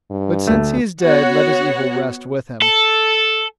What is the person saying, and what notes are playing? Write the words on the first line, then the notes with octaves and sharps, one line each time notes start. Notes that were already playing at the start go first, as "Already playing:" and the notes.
But since he is dead let his evil rest with him.
G2
D2 A3
B3 F#4 C#5 F#5
A4